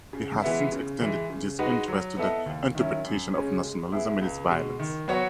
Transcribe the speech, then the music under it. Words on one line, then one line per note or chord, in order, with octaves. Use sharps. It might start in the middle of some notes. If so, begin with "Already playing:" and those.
He has since extended this interest to the interpretation of nationalism and its violence.
C#3
E3 G#3 B3 E4
C#3
E3 G#3
C#3
G#3 D#4 F#4 B4
F#3
B3 E4 A4 D#5
D#2
D#3 F#3 C#4 E4
F#2
C#3 G#3 C#4
G#3
B3 E4 G#4
C#2
B2 G#3
D#3
F#3 B3 F#4 C#5